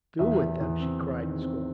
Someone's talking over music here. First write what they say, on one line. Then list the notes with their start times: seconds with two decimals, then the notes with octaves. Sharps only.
"Do with them!" she cried in scorn.
0.19 E2 E5
0.40 E2
0.61 E2
0.80 C4
1.01 E2
1.22 D#3
1.42 C4